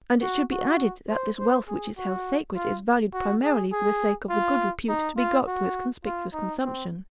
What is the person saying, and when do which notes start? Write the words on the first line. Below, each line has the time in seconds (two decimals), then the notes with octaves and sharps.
And it should be added that this wealth which is held sacred is valued primarily for the sake of the good repute to be got through its conspicuous consumption.
0.22 F#4
0.52 F#4
1.09 C5
1.38 C5
1.68 G#4
1.98 F#4
2.56 F4
3.13 F#4
3.43 G#4
3.72 G#4
4.30 F4
4.89 D#4
5.17 F4
5.47 F#4
6.05 F4
6.33 D#4
6.63 C4